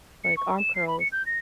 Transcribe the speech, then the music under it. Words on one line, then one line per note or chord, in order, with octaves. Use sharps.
like arm curls,
C#7
C#6
E7
C7
B5
C#7
G6
A#6